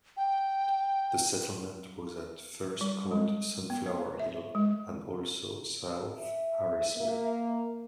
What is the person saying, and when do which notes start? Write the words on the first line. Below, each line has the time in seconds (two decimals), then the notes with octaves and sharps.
The settlement was at first called "Sunflower Hill" and also as "South Harrisville".
0.17 G5
2.81 G3
3.11 G#3
3.70 B3
3.86 C#5
4.19 E5
4.55 G#3
6.15 E5
6.96 A#3